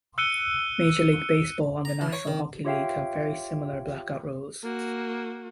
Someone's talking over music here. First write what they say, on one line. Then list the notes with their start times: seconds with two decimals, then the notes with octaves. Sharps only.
Major League Baseball and the National Hockey League have very similar blackout rules.
0.18 E6 F#6 C#7 D#7 G7
1.85 A#5
2.01 E3
2.13 C#5
2.27 D#3
2.65 F4 G4 C#5 E5 F5 G5
4.63 A#3 F#4